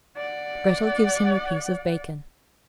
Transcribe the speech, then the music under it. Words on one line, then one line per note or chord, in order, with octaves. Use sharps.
Grettel gives him a piece of bacon.
D5 F#5